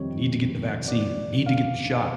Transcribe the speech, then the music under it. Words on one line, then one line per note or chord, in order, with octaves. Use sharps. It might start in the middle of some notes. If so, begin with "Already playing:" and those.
I need to get the vaccine, I need to get the shot,
Already playing: F2 C3 D#3 G3 C#5
D5
F5